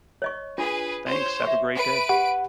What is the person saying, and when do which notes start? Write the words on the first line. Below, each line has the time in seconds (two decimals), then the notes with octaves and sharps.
Thanks, have a great day.
0.22 C#5 D#5 C#6
0.58 D4 F4 G#4 B4
1.07 C5 C#5
1.43 E5 C#6
1.76 B4 D7
2.09 G4 F#5